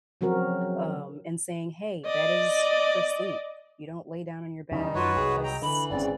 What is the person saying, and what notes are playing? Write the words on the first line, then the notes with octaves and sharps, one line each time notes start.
um, and saying, "Hey, bed is for sleep." You don't lay down on your bed just
C#3 F3 F#3 C4 F#4 A#4
D5 D#5
E2 C#3 E3 G3 D#4
F#2 F4 F#4 B4 C#5
C2 G#4
F#3 G5 A#5
D3 E3 B5
G#1 G#2 C#3 C4 D5